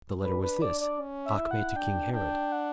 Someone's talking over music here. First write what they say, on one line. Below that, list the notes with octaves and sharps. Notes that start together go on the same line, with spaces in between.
The letter was this: 'Acme to king Herod.
D4 B4
B4
D4 D5
D5
C#4
E5
E4
F#5
D4 G5
D4 G5
F#5